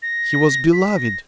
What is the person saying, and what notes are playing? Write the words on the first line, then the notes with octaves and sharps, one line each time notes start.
He was beloved.
A#6
B6
A#6